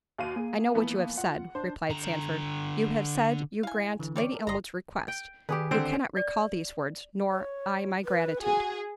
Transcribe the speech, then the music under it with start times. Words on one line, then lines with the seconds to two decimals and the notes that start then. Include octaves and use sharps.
"I know what you have said;" replied Sandford, "you have said you grant Lady Elmwood's request--you cannot recall these words, nor I my gratitude."
0.18 D#2 F#4 F5 D#7
0.36 A#3 G#4
0.74 E3 F3 B3
1.18 F4 F#5
1.55 D4 C5
1.90 D3 A#5
3.63 E4 F5 G#5
3.99 D3 E3
4.16 G3 C#5 D5
4.32 A4 A#4
4.47 G1 D#5 A#5 C6
5.08 G5
5.49 D#3 G4 G#4 B4
5.71 D3 C4 C5 D7
6.17 D5
7.31 C#5
8.05 B4
8.42 F#4 G#4